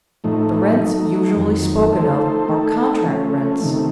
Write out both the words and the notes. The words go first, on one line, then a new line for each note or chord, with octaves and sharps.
The rents usually spoken of are contract rents.
A2 F3 A3 D#4
F#3 A3 D#4
F2 D#3 F#3
F3 A3 D#4 A4 C5
A3 D#4 A4
F3 A3 C#4
C3 D#3 A3